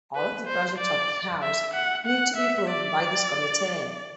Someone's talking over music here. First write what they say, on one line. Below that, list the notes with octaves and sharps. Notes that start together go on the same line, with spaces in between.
All of the projects of the House need to be approved by this committee.
B4
C5
D5
E5
F#5
F#5
E5
D5